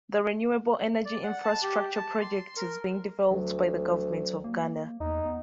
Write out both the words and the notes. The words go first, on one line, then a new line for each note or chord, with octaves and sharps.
The renewable energy infrastructure project is being developed by the government of Ghana.
D5
F#5
A5
G4
A5
C6
A#4
D2 F#3
A#3
E2 D#4
B3